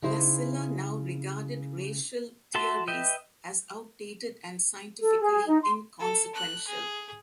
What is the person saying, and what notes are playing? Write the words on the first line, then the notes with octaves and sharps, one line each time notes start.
Lassila now regarded racial theories as outdated and scientifically inconsequential.
C#3 D#4 E4 C5
F#4 A4 E5 A5 C6
B4 D#5 E5 G5
A4
G#4
D#4
C6
A4
F#6
G#4